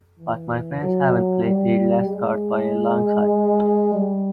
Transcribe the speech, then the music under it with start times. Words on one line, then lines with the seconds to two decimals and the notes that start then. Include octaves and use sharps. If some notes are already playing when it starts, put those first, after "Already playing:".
But my friends haven’t played their last card by a long sight.
0.19 E3
0.82 F#3
1.44 G3
2.06 G#3
3.94 G3